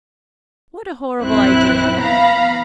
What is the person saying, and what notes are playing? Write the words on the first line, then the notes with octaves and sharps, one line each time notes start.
What a horrible idea!
A#1 F#2 C4 E4 F#6
E3 B3 F5 A#5 B5